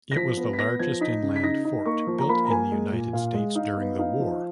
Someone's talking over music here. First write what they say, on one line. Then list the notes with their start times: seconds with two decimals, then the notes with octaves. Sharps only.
It was the largest inland fort built in the United States during the war.
0.11 A#6
0.16 F3 B6
0.37 B3
0.53 B6
0.58 B3 A#6
0.79 F3 G#6
1.01 D#4 B6
1.23 C#3
1.36 B6
1.43 D#4 A#6
1.65 D#4
1.85 A#3 C#6
2.07 F3
2.19 A#5
2.29 A#3 B5
2.45 A#5
2.50 A#3 G#5
2.72 G#3
2.92 A#2
3.13 A#2 F5
3.34 G#3
3.55 D#4 F5
3.77 B3
3.99 D#4 F5
4.20 F3